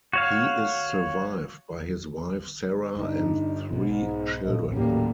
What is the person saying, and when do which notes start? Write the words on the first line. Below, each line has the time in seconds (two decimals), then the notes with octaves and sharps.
He is survived by his wife Sara and three children.
0.13 F#4 C#5 F5
2.97 G2 D3 D4 D#4
3.73 B1 G#2 B2
4.44 A#1 A2 A3 D#5
4.73 D#1 A2 F#3 G3 A#3 C#4